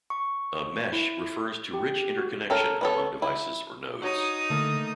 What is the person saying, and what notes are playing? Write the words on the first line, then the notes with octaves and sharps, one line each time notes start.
A mesh refers to rich interconnection among devices or nodes.
C#6
E4
G4
F#4
C#4 A4 A#4
B3 C#4 A4
E4
D#4 F#4 C#5 A#5 D#6
D3 A3 A#3